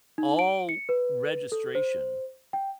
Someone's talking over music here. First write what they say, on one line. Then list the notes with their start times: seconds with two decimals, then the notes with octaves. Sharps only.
all registration,
0.18 D#4
0.39 D7
0.69 C#7
0.89 B4
1.52 A4
1.75 C5
2.53 G5